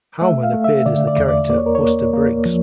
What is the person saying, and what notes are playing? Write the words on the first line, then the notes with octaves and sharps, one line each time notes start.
Howman appeared as the character Buster Briggs.
A3 E5
F5
A3
E5
D3 D5
D5
E2
D5
A#3 D5
C#5
A#4
C#5
A#3
A#3
F3